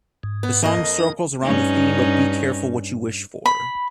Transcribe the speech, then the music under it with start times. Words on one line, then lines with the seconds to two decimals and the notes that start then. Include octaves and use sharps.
The song circles around the theme of "be careful what you wish for".
0.23 G#2
0.43 B3
0.63 F2 A#3 D#5
0.99 D#4
1.43 G2 C#4 D#4
3.46 B5